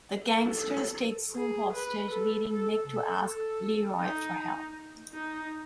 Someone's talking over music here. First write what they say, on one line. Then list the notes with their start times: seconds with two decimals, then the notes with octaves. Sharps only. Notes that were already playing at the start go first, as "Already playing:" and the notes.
The gangsters take Sue hostage, leading Mick to ask Leroy for help.
0.23 A4
1.36 G#4
1.74 B4
2.12 A4
2.49 A4
2.86 A4
3.25 A4
4.00 D#4
5.13 D#4